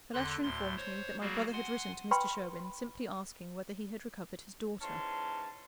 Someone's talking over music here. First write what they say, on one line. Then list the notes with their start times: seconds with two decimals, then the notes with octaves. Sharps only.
The letter informed me that my brother had written to Mr. Sherwin, simply asking whether he had recovered his daughter.
0.13 E2 D3 C6 F#6
0.43 D2 A2 C6
0.77 C5 C#5
1.20 F#3 G3 A#3 F#4 G#4
1.53 F#5 G#5 C6
2.11 B4 G5 B5 C6
4.82 G#2 E3 C#4 A5 C6